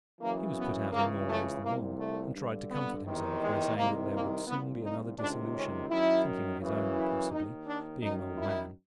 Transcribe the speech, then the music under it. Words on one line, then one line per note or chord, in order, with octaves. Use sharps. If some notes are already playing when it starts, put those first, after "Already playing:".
He was put out in more ways than one, and tried to comfort himself by saying that there would soon be another dissolution--thinking of his own, possibly, being an old man.
F#2 C#3 E3 A#3
B3
C#2 C#3 E3 A#3
A3
C2 A#2 A#3
A3
G2 D3
B3
E2 C3 D#3
G#3
C2 C3 D#3 A#3
A#3
C2 A#2 B3
D#4
C#2 C3 D#3 D4
C#4
F#2 D#3 E4
F#2 C#3 E3
E4
D#2 D#3 D#4
D4
F#2 D#3 D#4
E4